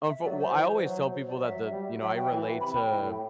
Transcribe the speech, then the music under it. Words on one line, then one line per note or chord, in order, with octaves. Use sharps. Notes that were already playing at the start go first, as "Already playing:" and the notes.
I'm fro Well, I always tell people that the you know, I relate to
E5
F#3 D5
C5
E3
F#3
C5
D5
F#3 E5
G3
F#3 E5
G5
E3
C3 B5
G5
A2